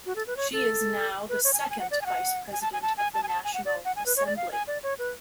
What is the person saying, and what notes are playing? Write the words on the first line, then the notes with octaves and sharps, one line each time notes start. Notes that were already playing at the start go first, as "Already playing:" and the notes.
She is now the second vice president of the National Assembly.
F#4
A4
B4
C#5
A4
B4
C#5
G#5
A5
G#5
F#5
D5
G#5
F#5
G#5
A5
G#5
A5
G#5
A5
G#5
A5
G#5
F#5
D5
F#5
G#5
B4
C#5
D5
F5
G#5
D5
C#5
B4